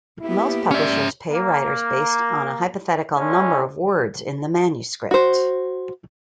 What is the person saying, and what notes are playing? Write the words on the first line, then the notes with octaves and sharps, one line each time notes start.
Most publishers pay writers based on a hypothetical number of words in the manuscript.
A#3 B3 E4 G4
C#4 D5 E5
A#3
A2 D3 G#3 C#4
F#4 C5